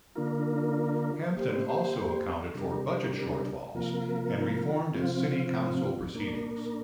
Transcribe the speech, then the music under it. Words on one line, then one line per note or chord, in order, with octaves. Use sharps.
Hampton also accounted for budget shortfalls, and reformed its city council proceedings.
D3 A#3 D4 F4 A#4
A#3 G4 C5
C3 G3 D4 A#4
C3 F3 A#3 F4 A#4
C3 F3 C4 F4
A#2 A#3 D4 A#4